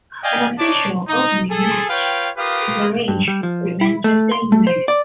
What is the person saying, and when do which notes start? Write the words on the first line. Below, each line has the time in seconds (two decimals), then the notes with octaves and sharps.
An official opening match was arranged with Manchester United.
0.24 D5 D#5 F5 G5 G#5
0.59 D4 D#4 C#5 A5 D6
1.08 D#4
1.50 G#4 A4
1.90 F4 B4 C#5 F5 G5
2.37 F4 G4 A#4 B4 F5 D#6
3.08 G2
3.28 G3
3.43 F3
3.81 E4
4.04 A3
4.32 C6
4.52 A3
4.67 C5
4.88 D5